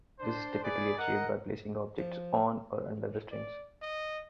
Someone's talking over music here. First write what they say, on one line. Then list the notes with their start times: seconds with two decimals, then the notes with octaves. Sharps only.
This is typically achieved by placing objects on or under the strings.
0.20 D4 C5
0.62 G#4 B4 D5
0.97 A#4 D#5 F#5
1.98 F3
3.32 D5
3.81 D#5